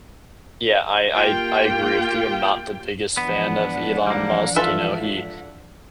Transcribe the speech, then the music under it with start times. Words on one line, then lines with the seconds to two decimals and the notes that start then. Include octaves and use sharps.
yeah, I I I agree with you, I'm not the biggest fan of Elon Musk, you know, he
1.13 A#3 F4 G4 G5
3.17 G#2 E3 F3 B3 D4 F#5
4.07 G3 A#3
4.56 F4 A4 B4 E5